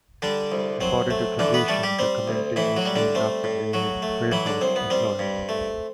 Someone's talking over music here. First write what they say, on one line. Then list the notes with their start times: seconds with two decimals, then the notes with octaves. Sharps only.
According to tradition, the community was named after a railroad employee.
0.22 D3 G3 D4
0.52 C2
0.81 F#3 C4
1.10 A3
1.39 D3 E3 D4
1.54 B3 B4
1.68 G3 A3 A4
1.83 G3 G4
1.99 G3 C4
2.28 D2
2.56 A2 E3 E4
2.76 F#3 F#4
2.85 G3
2.96 D3 D4
3.15 A3 C4
3.44 A2
3.73 F#3 F#4
4.02 A3
4.32 E3 F#3 E4
4.46 D3 D4
4.61 C2 C4
4.76 B3
4.90 G3 C4
5.19 G2
5.49 A3